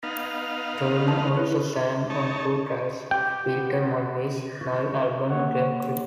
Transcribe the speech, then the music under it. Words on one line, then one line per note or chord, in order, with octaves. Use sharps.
Turner also sang on two tracks of Peter Mulvey's live album "Glencree".
B3 D#4 F5
A5
E4 B4 C#5
D#4 C#5 A5
G4 G5
B3
C#6
A#3 C#5 F#5